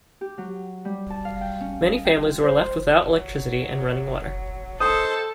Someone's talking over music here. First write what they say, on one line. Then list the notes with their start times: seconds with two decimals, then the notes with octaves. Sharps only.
Many families were left without electricity and running water.
0.21 G4
0.38 F#3
0.85 G3
1.10 A5
1.25 F5
1.41 G5
1.61 C#4
1.87 D#5
2.05 G5
2.25 F4
2.43 C5
2.97 F#3
4.80 D#3 A4 C5 D#6